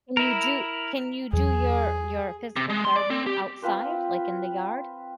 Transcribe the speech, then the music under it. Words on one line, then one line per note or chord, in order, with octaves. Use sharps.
Can you do can you do your your physical therapy outside, like, in the yard?
E4 A#4
E2 F#3 G#4
C3
G#3
C6
D5
C4
G4
C4 F4 B4 C5